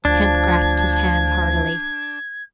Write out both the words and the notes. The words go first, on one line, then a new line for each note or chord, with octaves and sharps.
Kemp grasped his hand heartily.
D2 F3 D4 G#6